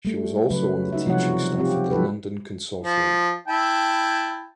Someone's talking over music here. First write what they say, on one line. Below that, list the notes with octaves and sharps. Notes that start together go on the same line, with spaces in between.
She was also on the teaching staff of the London Consortium.
G3 A3
C#3 F#3 B4
D#4 F#4 E5
C3 F3 G3 F#4 C#5 F#5
C4 F4 G4
F3 F#3 A4 B4
F3
E4 G5 A5